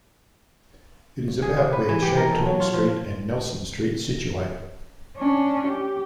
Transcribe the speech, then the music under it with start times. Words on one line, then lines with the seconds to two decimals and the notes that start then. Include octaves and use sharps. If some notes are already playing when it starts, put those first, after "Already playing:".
It is about where Shantung Street and Nelson Street situate.
1.42 G#4
1.57 C3
1.73 B4
1.89 E3
2.02 G4
2.17 A#4
2.32 A4
2.46 F#3
2.60 F4
2.74 F3
5.17 C#4 D4
5.68 G4